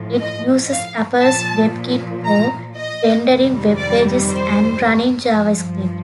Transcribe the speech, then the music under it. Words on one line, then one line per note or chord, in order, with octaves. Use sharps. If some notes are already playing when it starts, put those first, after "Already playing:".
It uses Apple's WebKit for rendering web pages and running JavaScript.
Already playing: A2 F3
D#5
F5
A#2 F3 A5
A#5
D#5
F2 C3 D#3 G3
D5
C5
G2 F3